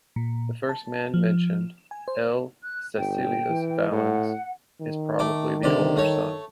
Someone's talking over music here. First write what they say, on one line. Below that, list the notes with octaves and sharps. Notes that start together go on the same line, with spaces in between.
The first man mentioned, L. Caecilius Valens, is probably the older son.
A#2
A5
F3
G#5
C5
F#6
G1 G5
E3
A2 F#5
D#3
A3 D6
D2 C3 D5
A3 C#5